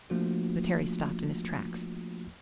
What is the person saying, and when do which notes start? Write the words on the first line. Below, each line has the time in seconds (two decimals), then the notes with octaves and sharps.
But Terry stopped in his tracks.
0.10 F3 A3 A#3 D4 F4 F#4